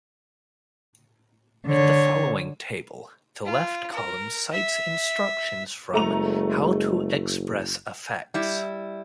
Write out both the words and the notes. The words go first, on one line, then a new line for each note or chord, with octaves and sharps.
In the following table, the left column cites instructions from how to express affects.
D3 C#5
F4
A#4
E5
F#1 G#3 A3 A#5 F7
G3 E4